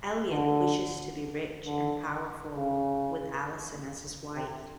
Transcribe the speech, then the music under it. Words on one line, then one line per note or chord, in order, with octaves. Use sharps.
Elliot wishes to be rich and powerful, with Alison as his wife.
D3
D3
C#3
C3